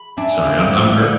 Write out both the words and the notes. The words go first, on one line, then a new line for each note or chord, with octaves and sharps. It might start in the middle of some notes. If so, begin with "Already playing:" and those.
Sorry, I'm I'm ear
Already playing: B5
D4 E5 G#5
C4 D5 F5
C4
F3 B4 D5
E3
D3 B4